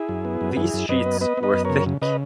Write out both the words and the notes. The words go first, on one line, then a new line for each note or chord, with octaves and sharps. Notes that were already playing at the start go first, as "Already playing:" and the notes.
These sheets were thick.
Already playing: E4 G#4
F#2
B3
F#2
F#2 E4 G#4
F#2
F#2 B4 D#5
B3
B3 B4 D#5
B3
B4 D#5
F#2
C#3 A#4 C#5
C#3
C#3 B4 D#5